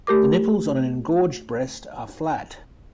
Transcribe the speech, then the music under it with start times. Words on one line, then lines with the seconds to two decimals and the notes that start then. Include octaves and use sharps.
The nipples on an engorged breast are flat.
0.07 A3 G4 A#4 D6